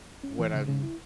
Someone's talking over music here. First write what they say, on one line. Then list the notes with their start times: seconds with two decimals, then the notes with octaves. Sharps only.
when I'm,
0.23 C#4
0.39 E3
0.54 C#3
0.68 C#3
0.83 E4